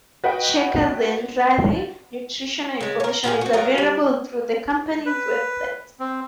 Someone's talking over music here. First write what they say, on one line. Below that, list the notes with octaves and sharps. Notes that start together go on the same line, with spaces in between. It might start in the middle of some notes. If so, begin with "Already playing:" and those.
Checkers and Rally's nutritional information is available through the company website.
F#4 B4 D#5 F#5 G5
C#3 G#3
A#4 C#5
A#2 F4 G4 G#4
C4 F#4
F#3 F4 A#4 D#5
G3
B4
C4